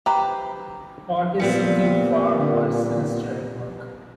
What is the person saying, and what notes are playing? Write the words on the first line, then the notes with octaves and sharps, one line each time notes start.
Or is something far more sinister at work?
G4 B4 C5 A#5
A#2 G3 B3 C4